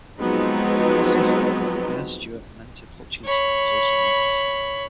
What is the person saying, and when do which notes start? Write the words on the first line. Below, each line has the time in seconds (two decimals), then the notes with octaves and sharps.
His sister, Vere Stuart-Menteth Hutchinson, was also a novelist.
0.21 F3 F#3 G#3 B3 C4 D#4
3.25 C#5 B5